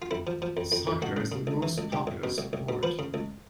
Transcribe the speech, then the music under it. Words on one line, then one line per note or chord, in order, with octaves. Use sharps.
Soccer is the most popular sport.
F4
F2 E4
F3
F3
F2
F2
F2
C#2 F#4
C#3
C#3
C#2
E3
C#2
C2 G4
C2
B2
C2
C2
B2
F3 B4
C#3
C#2